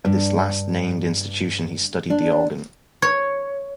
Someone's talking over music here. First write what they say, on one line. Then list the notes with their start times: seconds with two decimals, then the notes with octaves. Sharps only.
At this last-named institution, he studied the organ.
0.05 G2
2.10 D4
3.02 C#5